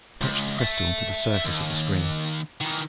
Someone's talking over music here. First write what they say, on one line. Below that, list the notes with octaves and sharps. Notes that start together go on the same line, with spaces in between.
She touched the crystal to the surface of the screen.
C#2
E5 A5
D#2
D#3 E3